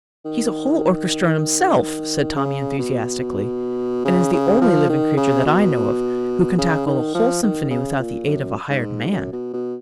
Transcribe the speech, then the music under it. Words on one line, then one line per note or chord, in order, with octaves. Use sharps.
"He's a whole orchestra in himself," said Tommy enthusiastically, "and is the only living creature that I know of who can tackle a whole symphony without the aid of a hired man."
D#3
C#3
B2
C#3
C#3
F3
D#3
C#3
B2
C#3
D#3
F3
D#3
C#3
A#2
F#2
G#2
F#2
B2
B2